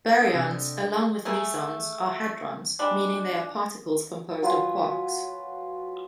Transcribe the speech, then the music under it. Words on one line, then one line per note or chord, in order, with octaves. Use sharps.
Baryons, along with mesons, are hadrons, meaning they are particles composed of quarks.
D3 D#5 G5
C3
A3 G#4 A#4
G3 G#3 D4
F#3 F4 B4 G#5